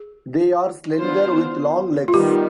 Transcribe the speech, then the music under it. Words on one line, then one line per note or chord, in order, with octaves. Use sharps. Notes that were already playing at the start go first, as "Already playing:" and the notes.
They are slender, with long legs.
Already playing: G#4
B3 D4 F4 C5
F4
D#3 G3 B3 G4